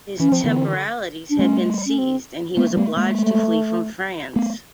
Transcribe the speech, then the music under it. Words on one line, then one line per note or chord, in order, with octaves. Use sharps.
His temporalities had been seized, and he was obliged to flee from France.
E3 C#4
F3 C4
D3 E3 B3
C4
D4
G3 A3 C#4
C#4
C4
G#3 A#3 B3
F#3
G3 A3 B3
G#3 A#3
A3
A3 B3